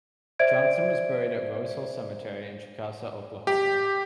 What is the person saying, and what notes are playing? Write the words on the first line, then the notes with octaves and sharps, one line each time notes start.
Johnson was buried at Rose Hill Cemetery in Chickasha, Oklahoma.
C5 D5 E5 G#6 D7
G4